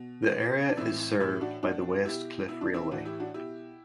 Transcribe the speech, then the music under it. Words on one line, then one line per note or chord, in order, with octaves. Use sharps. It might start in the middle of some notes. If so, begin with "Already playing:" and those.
The area is served by the West Cliff Railway.
Already playing: B2
B2
D4
A2 E3 C4 E4
A2 E3 E4 G4
D4 F#4
B2 D4 F#4
B2 E4 G4
B2 E4
D4
C4 E4
A2 E3 D4 F#4
E4 G4
D4 F#4
B2 E4 G4